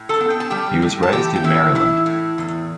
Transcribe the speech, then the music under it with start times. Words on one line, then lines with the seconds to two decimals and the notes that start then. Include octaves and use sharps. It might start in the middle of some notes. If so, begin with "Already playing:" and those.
He was raised in Maryland.
Already playing: A2
0.09 A4 A5
0.21 B3
0.30 G5
0.40 A5
0.50 G3 G4 G5
0.82 A2
1.03 A5
1.12 E3 G4 G5
1.36 G5
1.44 A2 E4 E5
1.75 E3 E4
2.06 A2
2.38 E2